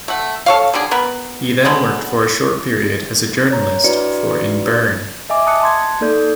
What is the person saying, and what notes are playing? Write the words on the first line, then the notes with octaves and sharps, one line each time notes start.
He then worked for a short period as a journalist for in Bern.
A3 F#5
A4 C#5 F5
D3 G3 D4 G#4
B3 A#4 B4
D3 F#3 G#3 B3
C#5 A#5
D4 E4 F#4 B4 D5 C#7
D#5 E5 G#5 D6
A5 D#6 F#6 C#7
A5 C6 G#6
A#3 D#4 A4 D5 G6